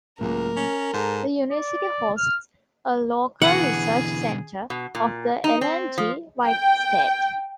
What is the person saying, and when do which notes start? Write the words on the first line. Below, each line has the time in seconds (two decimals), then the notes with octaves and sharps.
The university hosts a local research centre of the Ellen G. White Estate.
0.21 C#2 A2 F#3 A#3 A#4
0.57 C#4
0.94 G#2 A4
1.52 D5
2.17 F6
3.42 B2 D3 E3 G#4 F#5
4.70 B2
4.95 A#2
5.44 D#4
5.61 C4
5.98 F3
6.46 G5